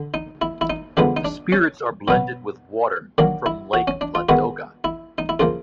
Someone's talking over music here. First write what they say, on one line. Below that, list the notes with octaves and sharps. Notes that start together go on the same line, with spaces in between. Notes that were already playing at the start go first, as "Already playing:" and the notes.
The spirits are blended with water from Lake Ladoga.
Already playing: D3
D#4
E4
E4
D#4
D3 F3 G#3 B3 D4
D#4
D4
C#4
B2 F#3 B3
D#3 F#3 A#3 D4
E4
F#4
C#4
D4
F4
D#3 G#3 B3 F#4
E4
D#4
E4
C#3 F3 A#3 F4